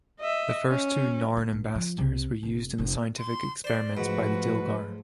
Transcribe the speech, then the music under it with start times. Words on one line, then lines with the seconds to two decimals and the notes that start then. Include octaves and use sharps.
The first two Narn ambassadors were used in scientific experiments by the Dilgar.
0.20 D#5 E5
0.70 C#4
1.37 A#3
1.53 A#1
1.75 F3
1.98 C2 C3
2.43 F1
2.78 F1 B3
3.18 C6
3.64 C5 D5 C6
3.97 G#2 F3 F#3 A3 F#4 B4